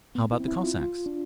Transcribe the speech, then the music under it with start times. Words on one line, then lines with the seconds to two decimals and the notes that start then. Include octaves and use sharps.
"How about the Cossacks?"
0.15 B3
0.32 E4
0.40 C4
0.48 E4
0.64 F4
0.81 F4
1.06 D4